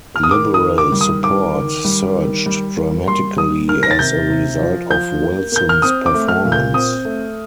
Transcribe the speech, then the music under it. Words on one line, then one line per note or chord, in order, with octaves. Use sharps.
Liberal support surged dramatically as a result of Wilson's performance.
F6
D#6
D#3 D6
D#6
D#3
D6
G3
D#6
D#3 D6
D#3
G3
D#3
G3
A#3
G3 C6
G3 D#6
D#3 F6
A#6
A6
C3 G6
C3
F3
F3 G6
A#3
A#3 G6
F6
C4 D#6
D6
A3
F6
A#2
G6
C4 D#6
A3